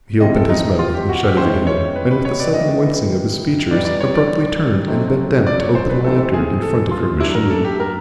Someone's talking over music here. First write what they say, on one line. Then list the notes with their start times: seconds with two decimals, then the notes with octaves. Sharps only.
He opened his mouth and shut it again, and, with a sudden wincing of his features, abruptly turned and bent down to open the lantern in front of her machine.
0.20 C3 D#3 G#3 C4 E4 D#5
0.35 A4
0.49 D#4
0.79 F4
0.94 G4
1.09 F#4
1.23 G4
1.37 D#3 G#3 C#4 E4 C5
1.67 C#5
1.96 B4
2.11 B4
2.25 C#5
2.40 D5
2.54 D#3 G#3 B3 E4 D#5
3.71 E3 G3 B3 D#4 D5
3.85 D5
4.01 C#5
4.14 D5
4.88 F#3 A3 C4 D#4
5.47 D5
5.60 C#5
5.75 C5
5.90 B4
6.04 E3 A3 C4 D#4 A4
6.34 G#4
6.62 A4
6.91 F4
7.20 F#3 A#3 D4 E4
7.35 A#4
7.50 A4
7.65 G4
7.80 A#4